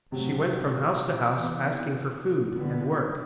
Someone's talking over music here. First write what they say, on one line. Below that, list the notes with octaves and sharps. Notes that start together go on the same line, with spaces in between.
She went from house to house asking for food and work.
A2 C3 F#3 A3 C4
E3 B3
D3 G3 B3